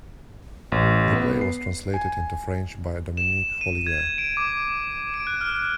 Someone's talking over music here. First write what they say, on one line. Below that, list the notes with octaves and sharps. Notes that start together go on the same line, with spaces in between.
The play was translated into French by Dominique Hollier.
A1
B3
C7
G#5
E7
D#7
G#6
D7
D6
D7
F#6
F6